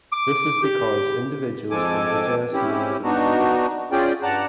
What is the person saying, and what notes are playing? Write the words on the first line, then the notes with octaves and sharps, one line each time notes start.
This is because individuals can possess more than one gun.
D6
G4
F2 F3 G#3 A4 G#5 D6
C4 C#4 E4 G4
B3 D4 D#4 F#4
C#4 F4 G#4 D5 G5
G2 D5 F#5 A5 A#5 F#6